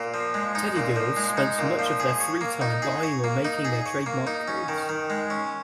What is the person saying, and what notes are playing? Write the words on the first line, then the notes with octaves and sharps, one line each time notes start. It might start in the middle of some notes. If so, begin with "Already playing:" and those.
Teddy Girls spent much of their free time buying or making their trademark clothes.
Already playing: A#2
F3
G#3
D#4
A#2
F3
G#3
D#4
A#2
F3
G#4
C#5
A#3
D#4
G#4
C#5
A#3
D#4
G#4
C#5
A#3
D#4
C#4
D#3
D#3
G#3
C#4